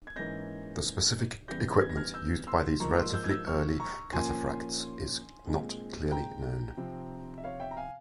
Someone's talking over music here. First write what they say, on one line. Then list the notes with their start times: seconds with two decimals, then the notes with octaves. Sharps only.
The specific equipment used by these relatively early cataphracts is not clearly known.
0.07 G#6
0.16 G#2 E3 A#3 C#4 G6 A#6
1.48 E2 C#3 E3 G3 G6 A#6
1.81 G#6
1.89 A#6
1.96 F6 G#6
2.14 E6 G6
2.47 C6 E6
2.80 G#2 F3 A#3 A#5 C#6
2.97 C6 E6
3.14 E6 G6
3.24 G#6
3.30 E6 G6
3.47 C#6 F6
3.80 A#5 C#6
4.13 A#2 F3 A#3 C#4 G#5 C6
5.46 A#2 G#3 C4
6.11 G5 A#5
6.77 C3 F3 C4
7.38 E5
7.44 C#5 F5
7.60 E5 G5
7.71 A#5
7.77 F5 G#5